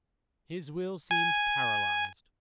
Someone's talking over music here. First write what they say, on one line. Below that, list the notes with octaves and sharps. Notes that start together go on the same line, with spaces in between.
His will seemed paralysed.
G#5